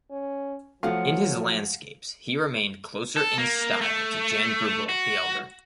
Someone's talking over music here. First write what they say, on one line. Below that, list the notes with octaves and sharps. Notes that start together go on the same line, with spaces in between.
In his landscapes he remained closer in style to Jan Brueghel the Elder.
C#4
F3 F#3 A3 F4 F5 F#5
A4
A#3
A3
F#4